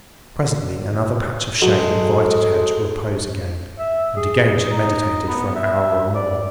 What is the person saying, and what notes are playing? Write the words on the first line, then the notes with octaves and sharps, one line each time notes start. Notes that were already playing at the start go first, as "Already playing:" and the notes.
Presently another patch of shade invited her to repose again, and again she meditated for an hour or more.
F#3 G#3 A4
E5
G#4
D#4
B3
E5
D5